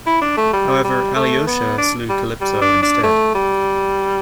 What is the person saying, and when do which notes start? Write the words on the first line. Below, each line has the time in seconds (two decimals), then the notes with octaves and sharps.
However, Alyosha slew Calypso instead.
0.07 E4
0.22 D4
0.37 A3
0.53 G3
0.84 G3
1.16 A3
1.47 B3
1.78 D4
2.09 G3
2.41 G3
2.62 D4
2.82 D4
3.04 A3
3.35 G3